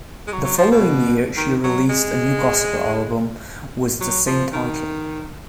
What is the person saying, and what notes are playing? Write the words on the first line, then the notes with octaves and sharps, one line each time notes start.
The following year, she released a new gospel album with the same title.
G#3
F#3
F#3
F3
B2
D#3
F#3
G#3
F#3
F3
D#3